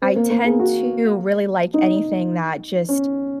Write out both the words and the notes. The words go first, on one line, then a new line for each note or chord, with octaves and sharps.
I tend to really like anything that just
C4
A#3
A#3
G#4
F#4
D#4
C#4